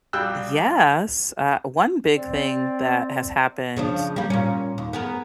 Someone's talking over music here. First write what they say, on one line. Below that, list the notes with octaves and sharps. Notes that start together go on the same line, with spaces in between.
yes, uh, one big thing that has happened,
A#1 G3 G5 E6 F#6
C4 D5
C#3 F3 D4
G3 A#3
A#2 C#4
D#2
B3 G#4 A#4